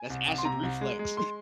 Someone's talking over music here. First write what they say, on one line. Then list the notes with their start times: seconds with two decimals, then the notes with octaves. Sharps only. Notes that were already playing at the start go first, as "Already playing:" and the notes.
That's acid reflex.
Already playing: G#5
0.10 C2
0.28 C2
0.38 C6
0.45 C3 A#5
0.63 C2
0.81 G#3
0.99 G#3
1.17 C6